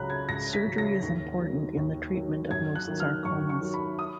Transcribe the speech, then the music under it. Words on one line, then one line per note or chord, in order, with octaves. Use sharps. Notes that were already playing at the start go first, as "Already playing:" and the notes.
Surgery is important in the treatment of most sarcomas.
Already playing: C#2 C#3 F#3 A#5 B5 F#6
G#6
C#2 A#6
B6
C#3 F#3
A#6
D#2
D#3 F#3
D#2
D#3 F#3
F#2 G#6
F#6
D#3 F#3
F6
F#2 C#6
C#6
D#3 F#3
B5
D#6